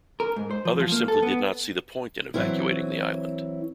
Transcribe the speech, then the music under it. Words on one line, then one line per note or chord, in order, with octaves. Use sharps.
Others simply did not see the point in evacuating the island.
A#4
G#2
C5
F3
F3
A#3
A4
B3
E3 F#3 C4 E4